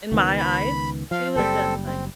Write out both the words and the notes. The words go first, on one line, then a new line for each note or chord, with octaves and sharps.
in my eyes, sh she was just, like,
C#2 D#3 B3
B5
F3 F5
F#1 G3 C4 A4
C4